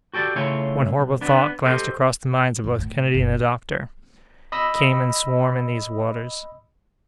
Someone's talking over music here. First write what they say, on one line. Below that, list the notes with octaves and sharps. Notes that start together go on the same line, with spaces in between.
One horrible thought glanced across the minds of both Kennedy and the doctor: caymans swarm in these waters!
F#4 G4 A4 D5
C#3 A3 E4 F4 C#5 G#5
B1
B3 D4
G4 A4 C5 D#5
F#1
A2
F#1
D#5 B5 D#6 E6